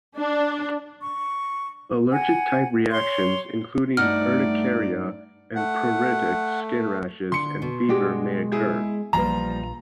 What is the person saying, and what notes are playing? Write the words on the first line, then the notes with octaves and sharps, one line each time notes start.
Allergic-type reactions, including urticaria, pruritic skin rashes, and fever, may occur.
D4
C#6
F#5 G#5
C#5 C6
G2 A3 D#4 D5 F#5 F6
A3 F#5
D3 C6 C#7
B2
G#3 D4 F#4 G4
E4 G#4
A#1 A#2 F3 G3 F4 B4 A#5